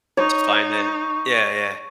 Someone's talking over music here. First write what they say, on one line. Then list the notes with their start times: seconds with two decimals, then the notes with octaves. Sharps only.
To find it. Yeah, yeah.
0.17 D#4 C#5